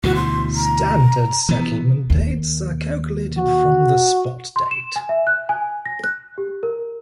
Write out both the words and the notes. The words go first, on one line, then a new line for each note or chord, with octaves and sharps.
Standard settlement dates are calculated from the spot date.
D2 B2 E3 F#4
C6
A#5
E3 B3
D#2
F#4
C6
E7
G#5
E5
F#6
G#5
A#6
F#6
G4
A#4